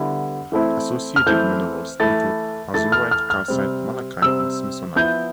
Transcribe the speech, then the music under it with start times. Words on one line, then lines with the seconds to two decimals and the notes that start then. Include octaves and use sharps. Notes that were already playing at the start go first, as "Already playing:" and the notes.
Associated minerals include azurite, calcite, malachite, and smithsonite.
Already playing: D3 G3 B3 E4
0.52 E3 A3 C4 E4
1.16 F6
1.26 E3 A3 C4 E4 G6
2.00 E3 A3 E4 A6
2.74 E3 A3 E4 A6
2.92 F6
3.11 F6
3.30 F6
3.48 C3 G3 C4
4.22 C3 G3 C4 E6
4.96 F3 B3 E4 G6